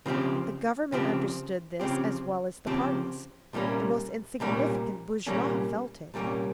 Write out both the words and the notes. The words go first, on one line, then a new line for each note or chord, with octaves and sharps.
The Government understood this as well as the parties; the most insignificant bourgeois felt it.
C#3 F3 C4 G4
C#3 F3 C4 G4
C#3 F3 C4 G4
C#3 F3 C4 G4
C2 A#2 G3 A#3 C#4
C2 A#2 G3 A#3 C#4
C2 A#2 G3 A#3 C#4
C2 A#2 G3 A#3 C#4